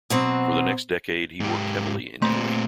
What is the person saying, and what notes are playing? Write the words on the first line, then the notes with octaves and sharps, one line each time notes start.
For the next decade he worked heavily in Italy.
B2 F#3 C4
G#2 G4
A#2 A3 C4 C6